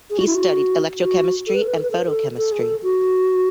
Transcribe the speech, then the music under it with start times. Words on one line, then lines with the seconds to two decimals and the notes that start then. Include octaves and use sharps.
He studied electrochemistry and photochemistry.
0.10 G#4
0.18 F#4
0.26 E4
0.35 F#4
1.01 F#4
1.47 A4
1.54 B4
1.62 A4
1.68 B4
1.75 A4
1.83 B4
1.91 A4
1.98 B4
2.05 A4
2.37 A4
2.52 G#4
2.60 A4
2.83 F#4